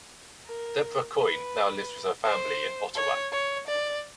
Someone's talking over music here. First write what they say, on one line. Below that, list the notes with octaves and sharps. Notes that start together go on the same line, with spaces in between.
Deborah Coyne now lives with her family in Ottawa.
A#4
B4
C5
C#5
C#5
D5